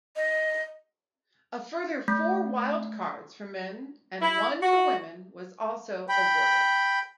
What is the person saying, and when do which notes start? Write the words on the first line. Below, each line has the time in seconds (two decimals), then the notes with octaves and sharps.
A further four wildcards for men and one for women was also awarded.
0.16 D#5
2.08 A3
4.22 E4
4.63 F#4
6.09 G5 B5